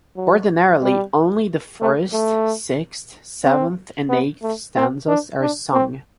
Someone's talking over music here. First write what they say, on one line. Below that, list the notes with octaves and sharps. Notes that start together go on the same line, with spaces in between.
Ordinarily, only the first, sixth, seventh and eighth stanzas are sung.
F#3
G3
A3
A3
C4
B3
A3
C4
D4
D4
C4